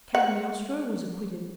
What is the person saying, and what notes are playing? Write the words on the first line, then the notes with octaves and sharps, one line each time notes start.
Cagliostro was acquitted.
F#5